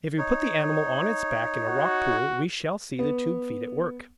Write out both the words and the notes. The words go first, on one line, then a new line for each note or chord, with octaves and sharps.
If we put the animal on its back in a rock-pool we shall see the tube-feet at work.
D#4 C#5
F#4
B3